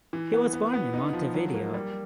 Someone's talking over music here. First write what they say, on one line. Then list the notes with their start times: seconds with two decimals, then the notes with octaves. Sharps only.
He was born in Montevideo.
0.13 E3
0.34 B3
0.53 B3
0.73 B3
0.94 D#4
1.13 F3
1.34 F#3
1.54 A#3
1.74 G3